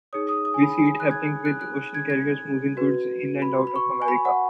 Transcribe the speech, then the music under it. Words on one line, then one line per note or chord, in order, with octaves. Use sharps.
We see it happening with ocean carriers moving goods in and out of America.
D#4 G#4 C#5 D#6
D#6
D#6
G#5
B5
G#5
F#6
G#6
F#6
F#6
G#6
G#6
F#4 B4
B5
B5
C#6
G#5
B5
F#5